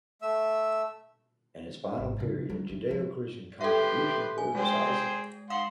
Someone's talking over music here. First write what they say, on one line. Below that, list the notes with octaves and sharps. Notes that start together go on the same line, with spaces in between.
In its final period, Judeo-Christian contributions were decisive.
A3 E5 E6
G#1
C#3
F#3
E3
F3
G4 A4 B4 E5 C6
G#5
G#3 G#4 C5 G5
F5 F#5 C6